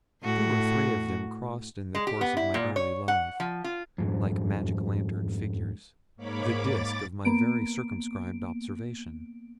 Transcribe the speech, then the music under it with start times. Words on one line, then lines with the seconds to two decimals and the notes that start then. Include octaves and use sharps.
Two or three of them crossed in the course of my early life, like magic-lantern figures, the disk of my very circumscribed observation.
0.23 A2 F#4
1.95 G#3
2.07 G4
2.21 B3
2.37 E4
2.54 A#2
2.76 C#5
3.08 F#5
3.40 F3
3.64 F4
3.98 F2 G#2
6.16 G#2 A#3 C#5 B5 D6
6.57 D6 A6
7.25 A#3 B3 D7